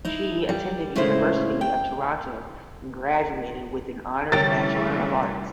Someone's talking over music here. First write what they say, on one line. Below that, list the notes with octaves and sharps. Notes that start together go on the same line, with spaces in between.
She attended University of Toronto and graduated with an Honours Bachelor of Arts.
D#4 E4
G3
A2 C#3 G#3 A3 E4 C5
G5
C2 D3 E3 A3 C#4 C#5 G5 A6